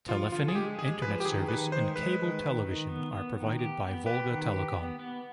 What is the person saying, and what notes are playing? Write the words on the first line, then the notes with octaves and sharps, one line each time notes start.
Telephony, Internet service, and cable television are provided by VolgaTelecom.
F3 F4
D3 F4
G#4
G#3 G4
G#3 G#4
F3 B4
G4
D#3 G#4
D#3 B4
G#3 C5
G#3 B4
D#3
D#3
D#3
B3
B3
D#3
G4
B3
G4 B4
D#3
G4
B3
B3